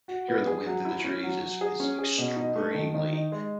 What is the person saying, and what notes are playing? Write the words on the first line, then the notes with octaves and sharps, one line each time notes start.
hearing the wind through the trees is is extremely
F#4
B3
G#4
F#3
E4
C#4
F#3
F#3
G#4
C#4
G#4
B2
D#4
A3
D#3
D#3
D#4
G#3